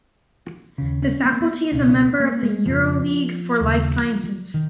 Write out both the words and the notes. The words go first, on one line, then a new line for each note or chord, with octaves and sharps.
The Faculty is a member of the Euroleague for Life Sciences.
D#2 C#3 C#4
C#4
B3
A#3
B3
C#2 B2 C#4
C#4
B3
A#3
G#3
F2 C#3 F3
D#2 C#3
D#3